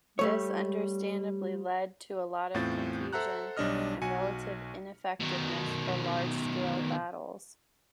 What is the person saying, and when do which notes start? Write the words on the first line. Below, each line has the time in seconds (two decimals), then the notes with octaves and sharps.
This understandably led to a lot of confusion and relative ineffectiveness for large-scale battles.
0.19 G3 A3 C#5
2.54 E2 A2 C4 F4 A6
3.13 A4 C5 E5 F#5 A#5 F#6
3.57 B1 G3 D4 C#5 D#5 F6
4.02 B1 F#4 G#5 C#7
5.20 B2 D#3